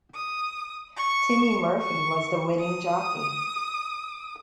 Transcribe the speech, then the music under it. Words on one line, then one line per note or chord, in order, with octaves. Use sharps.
Timmy Murphy was the winning jockey.
D#6
C#6
C#6
D#6